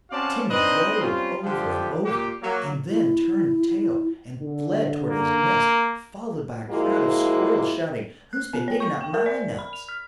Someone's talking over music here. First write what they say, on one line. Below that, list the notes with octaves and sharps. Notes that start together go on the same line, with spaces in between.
Timmy rolled over and over, and then turned tail and fled towards his nest, followed by a crowd of squirrels shouting-- "Who's-been digging-up MY-nuts?"
C4 C#4 F#4 D5 F5 A5
C4 D4 D#4 B4 C5 D#5
G3 C4 C#4 F4
D3 F3 G4
A#2 G4
F#3 A#3
E4
D3
A#3
A#2 F3 G#3 A#3 E4 F#4
F#6
B3
C#5
C#6
G5
A#4
D5
B5
F7
F6